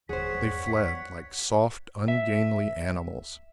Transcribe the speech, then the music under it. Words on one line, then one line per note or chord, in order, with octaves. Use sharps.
They fled like soft, ungainly animals.
D#1 D3 G#4 C5 C#5 F#5 B6
E2 G2 B3
E5